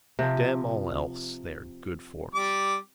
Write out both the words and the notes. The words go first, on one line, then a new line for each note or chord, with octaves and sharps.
Damn all else they are good for.
C3 F3
G3 D6